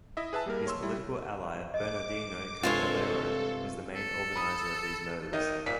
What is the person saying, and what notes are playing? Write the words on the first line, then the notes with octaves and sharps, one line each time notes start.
His political ally Bernardino Caballero was the main organizer of these murders.
E4 D#5 E5
G#4 B4 E5 A5
G3 A#3 A#4
C#5 C6 E6
G3 E4
D#5 D6
G2 C3 G#3 F4 A4 C5 C#5
A4
B5 D#6
D#3 D#5
A#2 B6